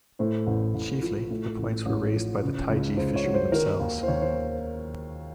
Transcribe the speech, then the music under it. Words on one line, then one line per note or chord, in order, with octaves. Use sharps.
Chiefly the points were raised by the Taiji fishermen themselves.
A2 C5
A1
A1
F3
A2
A1
A1 C#5
F3
C#3
C#2
C#2 C5
C#5
F#3
C5
D#3 A#4
D#2
C5
D#2 C#5
C5